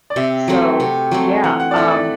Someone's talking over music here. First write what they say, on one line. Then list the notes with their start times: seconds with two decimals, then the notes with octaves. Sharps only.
So, yeah, um
0.10 D5
0.16 C3 E5
0.48 F#3 A3 C4
0.80 C3
1.11 F#3 A3 C4
1.44 E3 F#5
1.60 F#5
1.71 D5
1.75 A3 E4 E5
1.91 D5